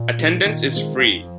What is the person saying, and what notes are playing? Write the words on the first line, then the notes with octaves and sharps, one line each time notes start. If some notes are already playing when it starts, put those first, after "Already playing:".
Attendance is free.
Already playing: A#2
G#3 D#4
A#2 D#3
G#3 C4 F4
F2 F3